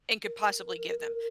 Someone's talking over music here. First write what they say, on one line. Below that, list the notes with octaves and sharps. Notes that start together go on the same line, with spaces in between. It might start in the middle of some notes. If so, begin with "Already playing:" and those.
and could possibly give them.
A#4